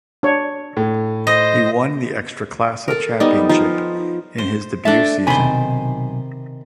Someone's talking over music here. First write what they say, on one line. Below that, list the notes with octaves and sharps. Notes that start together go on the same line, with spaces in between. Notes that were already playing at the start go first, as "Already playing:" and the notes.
He won the Ekstraklasa championship in his debut season.
D4 C#5
A2
C5 D#5 A#6
A4 A#4
G3 B3 D#4 D5 D#5
F3 D#4 F4
C5
D4 A4 D5 E5 A5
B1 C3 D#3 C5 G#5 B5